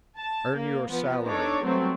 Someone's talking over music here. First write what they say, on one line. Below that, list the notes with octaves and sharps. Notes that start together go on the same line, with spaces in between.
"Earn your salary!"...
A5
A#3
F3 B3 B4
D4 D#4 A4 C#5 D6
F#3 G3 A3 B3 C4